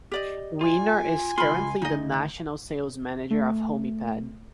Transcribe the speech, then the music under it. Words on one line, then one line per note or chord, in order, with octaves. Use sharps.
Wiener is currently the National Sales Manager of Homyped.
G4 D5 D#5
F4 G#5
C#2 F4 B5 C6
D2 D#4 D#5
A3